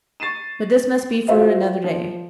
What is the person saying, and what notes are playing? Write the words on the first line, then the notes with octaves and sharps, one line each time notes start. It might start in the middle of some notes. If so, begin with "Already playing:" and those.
But this must be for another day.
C#6 A6 C7 D#7 E7
F4 F#4 C5 E5 F5
F3